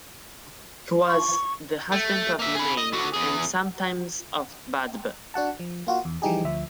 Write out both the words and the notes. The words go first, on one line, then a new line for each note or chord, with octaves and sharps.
He was the husband of Nemain, and sometimes of Badb.
C#6
A3
A#3 E5
G#4 B5
D#5
D3 F#4
E2 G#4
D4 F#4 F#5 A5
F3
A#3 F4 F#4
E2
E3 F3 G3 D#4 G4 G#4
D2 F3 E5